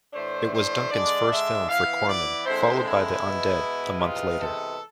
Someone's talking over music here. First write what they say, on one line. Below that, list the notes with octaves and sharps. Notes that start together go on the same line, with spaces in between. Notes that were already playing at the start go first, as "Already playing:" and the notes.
It was Duncan's first film for Corman, followed by "The Undead" a month later.
A2 E3 A3 D4 C5
C5
D3 G#3 D4 D5
E5
E3 B3 E4 F5
D5
D3 G#3 C4 E4 C5
E4
B2 G#3 B3
C3 E3 G#3 B3 F4
A4